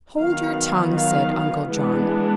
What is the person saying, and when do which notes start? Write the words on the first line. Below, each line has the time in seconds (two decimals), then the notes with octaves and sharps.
"Hold your tongue," said Uncle John.
0.20 D#3 F#3 B3 F5
0.95 F5
1.70 E3 G#3 B3 D4